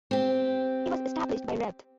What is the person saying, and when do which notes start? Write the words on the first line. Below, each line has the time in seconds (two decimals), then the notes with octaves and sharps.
It was established by Revd.
0.11 C4 G4